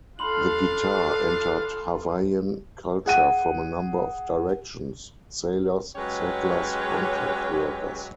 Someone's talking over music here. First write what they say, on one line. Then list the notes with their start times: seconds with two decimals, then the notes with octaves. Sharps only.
The guitar entered Hawaiian culture from a number of directions-sailors, settlers, contract workers.
0.19 D4 F4 A4 F5 B5 C6 F#7
3.06 G#4 F#5 D#7
5.96 F#3 G#3 C#4 G4 B4 C#5